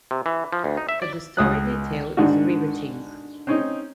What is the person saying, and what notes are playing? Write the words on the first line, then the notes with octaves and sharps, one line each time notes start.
But the story they tell is riveting.
C3
E3
F3
D2
D#4
E5
D5
C#2 D#6 F#6
G#2 D3 D#3 F#4
C4 C#4 D#4